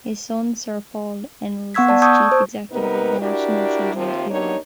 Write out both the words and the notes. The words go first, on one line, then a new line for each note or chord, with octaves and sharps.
His son, Sir Paul Ennals, is chief executive of the National Children's Bureau.
B3 F#5 C#6 E6 G#6 B6
D5 A5
A5 C#6 D#6 E6 G6 G#6
C#6
C5
C3 B3 D#4 A#4 B4
D4 E4 F#4 G4 A#4 D5
D#2 C3 F3
A#3 B3 D4 D#4 G4 C#5